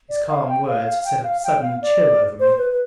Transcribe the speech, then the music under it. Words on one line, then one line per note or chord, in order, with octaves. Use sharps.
His calm words set a sudden chill over me.
D5
F5
G5
F5
F5
G5
F5
G5
F5
D5
C5
B4
B4